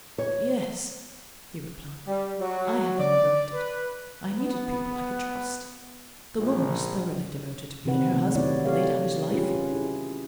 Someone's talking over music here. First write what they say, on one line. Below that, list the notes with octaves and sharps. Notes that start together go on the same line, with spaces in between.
"Yes," he replied, "I had them liberated, I needed people I could trust. The woman is thoroughly devoted to me, and her husband would lay down his life for me."
C#5
G3
F#3
D5
B4
B3
A#1
C3 D#3 E3 C4 B4 F#5
D#3 A3 B3
D#3 F#3 B3 E4 C#5 D5
G4 A4 C#5 D5 F5
C#4 F4 G4 G#4 B4
E4 G#4